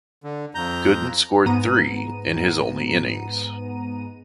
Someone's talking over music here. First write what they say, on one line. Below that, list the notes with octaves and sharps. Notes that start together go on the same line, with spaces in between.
Gooden scored three in his only innings.
D3
F2 A#5 G6
G#2 B3 A#5 D#7